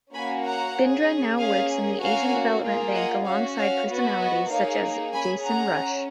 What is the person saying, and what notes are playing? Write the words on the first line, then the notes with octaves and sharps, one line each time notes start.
Bindra now works in the Asian Development Bank alongside personalities such as Jason Rush.
A#3 C#4 F#4 G#5 B5
F#5 A#5
C#4 G#4
A#3 C#4 G#4 F5 G#5
A#3 C#4 F#4 F5 G#5
A#3 F4 G#4
D#5 F#5
C#4 F#4 C#5 F5
C#5 F5
B3 F#4
B4 D#5
A#3 D#4 G#4 C#5 F5
C#4 G#4 G#5 B5
F#5 A#5
C#4